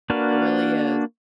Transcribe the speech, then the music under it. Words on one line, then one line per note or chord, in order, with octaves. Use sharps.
It really is.
A#3 D4 F#4 A#4 B4